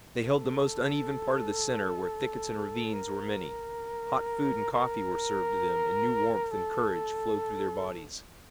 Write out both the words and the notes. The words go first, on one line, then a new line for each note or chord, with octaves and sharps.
They held the most uneven part of the center, where thickets and ravines were many. Hot food and coffee were served to them, and new warmth and courage flowed through their bodies.
A4
A#4
A#4
A4